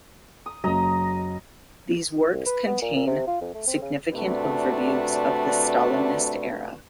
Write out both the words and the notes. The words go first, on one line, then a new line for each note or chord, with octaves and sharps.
These works contain significant overviews of the Stalinist era.
D#6
F#1 F#3 D#5 A#5
C2
B4
B3
A#2
A#2
C3
F4
F2
A3
C4
C#3
C3 A3 D4 F#4 B4 D5